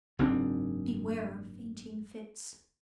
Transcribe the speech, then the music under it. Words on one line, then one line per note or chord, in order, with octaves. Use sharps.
Beware of fainting-fits...
F#1 G#2 C4 D4